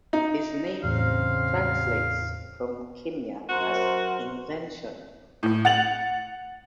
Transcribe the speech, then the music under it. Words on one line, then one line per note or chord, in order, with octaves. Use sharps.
His name translates from Quenya as "invention".
D#4
E2 A2 C#3 C4 F5
F#2 F#4 A#4 C5
A2
F#5 A6 F7 F#7